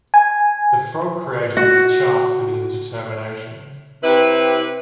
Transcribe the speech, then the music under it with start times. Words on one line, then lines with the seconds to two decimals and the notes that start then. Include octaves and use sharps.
The frog created this chance with his determination.
0.14 G#5
1.57 F#4
4.04 C3 E4 G4 B4